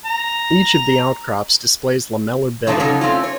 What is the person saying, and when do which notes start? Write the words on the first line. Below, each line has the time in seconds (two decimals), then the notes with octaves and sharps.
Each of the outcrops displays lamellar bedding.
0.06 A#5
2.67 C#3 F3 A3 D4 D#4 F4
2.80 C#3 F#3 C#4 D#4 A4
3.01 A3 C4 C#4 F4
3.24 C#5